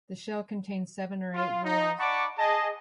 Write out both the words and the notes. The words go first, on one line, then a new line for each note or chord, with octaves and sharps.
The shell contains seven or eight whorls.
F4
D#4
D5 F#5 A5 B5 C#6 D6
G#4 D#5 A5